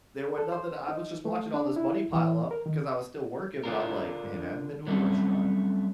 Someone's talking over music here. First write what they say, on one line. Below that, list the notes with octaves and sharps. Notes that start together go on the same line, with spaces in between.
there was nothing I was just watching all this money pile up, 'cause I was still working, but I'm like, "Man, I haven't been to a restaurant.
A4
C5
D#4
A3
D4
E4
E3
A#4
D#3
D3 D4 F4 A#4
F#3 G3 A3 C4 C#4